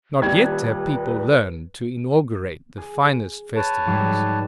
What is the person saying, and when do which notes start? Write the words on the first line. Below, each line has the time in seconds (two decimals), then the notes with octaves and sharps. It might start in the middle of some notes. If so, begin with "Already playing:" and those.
Not yet have people learned to inaugurate the finest festivals.
0.22 D#1 D#2 G3 B4 G#6
2.78 G#4
3.56 B4 C#5 A5
3.86 G#2 F#3 G3